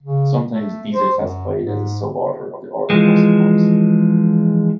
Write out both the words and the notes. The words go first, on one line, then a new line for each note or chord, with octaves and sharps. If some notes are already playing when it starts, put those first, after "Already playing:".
Sometimes these are classified as a suborder of the order Perciformes.
C#3
A3
C5
F#2
G#2
E3 F3 G#3